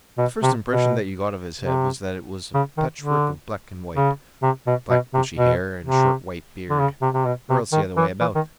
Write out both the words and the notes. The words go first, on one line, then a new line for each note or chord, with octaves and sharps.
The first impression that you got of his head was that it was a patchwork of black and white--black bushy hair and short white beard, or else the other way about.
B2
C3
B2
C3
C#3
D#3
D3
C#3
C3
B2
B2
C3
B2
C3
D3
C#3
C3
C3
B2
C3
D#3
E3
E3
D#3